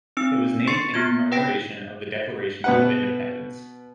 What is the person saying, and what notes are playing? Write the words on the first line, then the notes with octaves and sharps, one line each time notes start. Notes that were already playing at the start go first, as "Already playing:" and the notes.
It was named in commemoration of the Declaration of Independence.
C4 D#4 E6
C6 C#6 A6 C7 C#7
B3 F4 G#6
B4 F#5 G5 A#6 D7
B2 B4 F#5